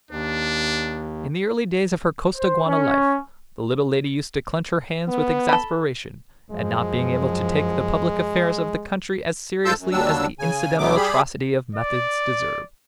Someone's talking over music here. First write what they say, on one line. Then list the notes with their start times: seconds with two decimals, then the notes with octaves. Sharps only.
In the early days of her Costaguana life, the little lady used to clench her hands with exasperation at not being able to take the public affairs of the country as seriously as the incidental atrocity of methods deserved.
0.11 D#2 D4
2.36 C5
2.66 C#4
5.08 B3
5.49 A4 B5
6.51 F#2 F3 G#3
9.65 G#2 F4 A4 A5 E6 G6
9.79 F#2
9.91 D#2 F#3 G3 D4 E6
10.39 C#3 G#5
10.78 D2 B2 F#3 A3 B3 D6
10.96 G3 G4 G#4 B5
11.75 D5